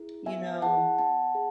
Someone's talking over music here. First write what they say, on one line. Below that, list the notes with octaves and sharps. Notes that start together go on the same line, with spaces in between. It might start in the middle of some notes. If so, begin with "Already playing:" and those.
You know,
Already playing: E4 G#4
B3 E5 G#5
E4 G#4 F#5 A5
B3 F#5 A5
G#4